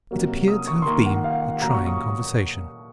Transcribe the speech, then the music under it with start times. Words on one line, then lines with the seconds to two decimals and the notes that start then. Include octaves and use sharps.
It appeared to have been a trying conversation.
0.11 C3 F#3 A#3
0.48 D#6
0.67 C#6
0.82 C6
0.86 D#3 A#3 A#5
1.05 F#5
1.24 F5
1.42 F#5
1.62 A#2 F#3 A#3 A#5
1.74 C#6
1.87 D#6